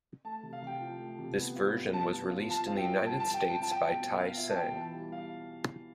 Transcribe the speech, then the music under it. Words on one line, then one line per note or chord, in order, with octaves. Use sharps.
This version was released in the United States by Tai Seng.
A3 A5
C3
F5
C3 G5
F3
A3
C3
B3
F4
G2
F3 A5
B3
F4
F3 A5
C4 F5
G5
G2
D3 A5
A5
F3
G5
C4 A5
F4 A5
G5
B2 A5
G5
B2
B3 F5
F4 E5
A5
B2 G5
E3 A5
G3
F5